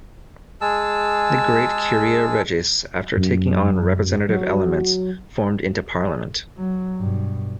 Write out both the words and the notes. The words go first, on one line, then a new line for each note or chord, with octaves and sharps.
The great "curia regis" after taking on representative elements formed into Parliament.
G#3 G#4 A5 E6
F#2
F#3
F#3
G2 B2